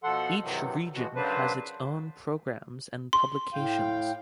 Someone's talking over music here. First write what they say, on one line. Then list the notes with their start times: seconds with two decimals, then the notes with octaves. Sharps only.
Each region has its own programmes and publications.
0.04 B2 F3 A4 F#5 C6
0.42 G2 C3 D#3 E3 F#3
0.95 E3 F3 G#3 F#4
1.16 C#3 F#3 A#3 D4 B4 C5
3.13 C6
3.53 A2 F5 G5